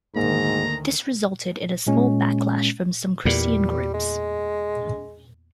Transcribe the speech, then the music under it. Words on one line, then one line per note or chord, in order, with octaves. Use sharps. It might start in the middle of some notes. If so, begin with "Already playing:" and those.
This resulted in a small backlash from some Christian groups.
D2 G#2 D#3 A#3 A#5
A#2 G#3 C#4
E2 A#2 G3
G#3